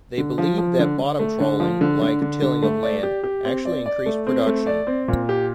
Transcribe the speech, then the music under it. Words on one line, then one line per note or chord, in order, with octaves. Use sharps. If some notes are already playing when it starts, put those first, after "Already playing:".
They believed that bottom trawling, like tilling of land, actually increased production.
D3
F3
F3
D3
D3
A3
D3
F3
D3
D3
D3
D3
A3
D5
G4
G4
C4
D5
D5
A3
C4
A3
D5
C4
A#2
G4